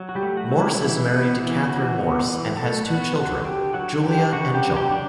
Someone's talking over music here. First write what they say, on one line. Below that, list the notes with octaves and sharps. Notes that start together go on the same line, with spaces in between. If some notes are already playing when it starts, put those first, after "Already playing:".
Morse is married to Kathryn Morse and has two children, Julia and John.
Already playing: F#3
F#4
G3 G4
A3
F#4
F#3
E4
E3 E4
B3
E3
E3 F#4
B3
E3
F#3 A3 A4
B3 F#4 F#5
F#3 F#4 F#5
D3 G4 G5
F#3 F#4 F#5
F#5
D4 G4 G5
C#3 F#4 F#5
G4 G5
F#3
G4 G5
D4